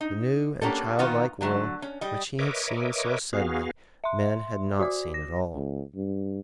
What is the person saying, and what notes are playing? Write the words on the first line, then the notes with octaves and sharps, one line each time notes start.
The new and childlike world which he had seen so suddenly, men had not seen at all.
D#4
A#3 B3 C#4 D4 G4 A4
D#3 B3 D#4 F4 F#4
D3 F#3 A3
C#4
G3 D#5
A#4 B4 C#5 D#5 E5 D6
B3 F#4 G#4 F5
E5 C6
F#4 D5 D6
A#6
C#2
G2